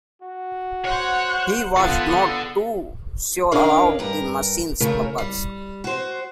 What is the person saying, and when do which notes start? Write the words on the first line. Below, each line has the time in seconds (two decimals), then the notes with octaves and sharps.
He was not too sure about the machine's purpose.
0.22 F#4
0.85 C5 C#5 F#5
1.77 B3 F4 A4 F#5
3.52 C#4 D4 A#4 C#5 D#5 F5
3.99 G2 A#4
4.80 C#3 A3 A#4 C#5
5.18 G3
5.84 F#4 C5